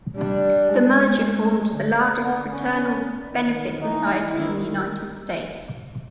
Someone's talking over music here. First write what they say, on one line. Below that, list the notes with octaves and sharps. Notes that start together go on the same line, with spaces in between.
The merger formed the largest fraternal benefit society in the United States.
G3 D4
G#3
G#3
D3
B3
C#4
D#3
E3 D#4
D#3 E4